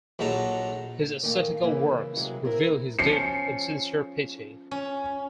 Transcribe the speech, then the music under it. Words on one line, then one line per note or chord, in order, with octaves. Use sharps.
His ascetical works reveal his deep and sincere piety.
A#1 F#3 D#4 A4 A#5
A#2 D#3 A3 A#3
C#3 E3 A#3
C3 F#3 G#3 A#3
C4 E4 A#4
F3 C#4 C7 C#7
C#4